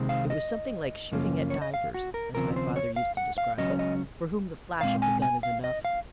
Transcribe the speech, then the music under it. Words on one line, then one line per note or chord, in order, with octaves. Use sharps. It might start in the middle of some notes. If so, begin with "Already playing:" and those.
It was something like shooting at divers--as my father used to describe it--for whom the flash of the gun is enough.
Already playing: C3 D#3 G#3 C4
F5
D#5
F#2 C#3 F3 A#3 C#4
C#5
D#5
F5
F#4
A#4
D#2 C#3 F3 C4 A#4
C5
C#5
F5
F#5
F5
C#2 C#3 F#3 C#4 D#5
D#5
A#2 G#3 C4 F5
G#5
G#5
F5
D#5
F5